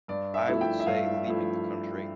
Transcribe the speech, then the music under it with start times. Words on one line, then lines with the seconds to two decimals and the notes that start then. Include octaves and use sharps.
I would say leaving the country,
0.08 G2 D5
0.34 E5
0.48 F3 A3 E4
0.61 G5
0.80 E5
0.86 G2 F5
1.26 F3 A3 E4